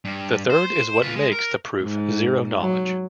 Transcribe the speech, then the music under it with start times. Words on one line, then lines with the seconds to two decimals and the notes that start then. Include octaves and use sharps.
The third is what makes the proof zero-knowledge.
0.05 G2
0.50 C5
1.02 F4 B4
1.15 G#3
1.32 A#4
1.83 G#2
2.60 F#3